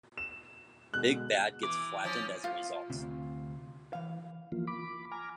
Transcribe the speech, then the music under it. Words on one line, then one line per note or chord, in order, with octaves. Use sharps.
Big Bad gets flattened as a result.
E7
B2 D3 G#3 F#6
E3 D6
F3 C#4
F4
D2 C3
E3 F5
E3 F3 A#3 F4
B5 D6
G#5 A#5 D6 F6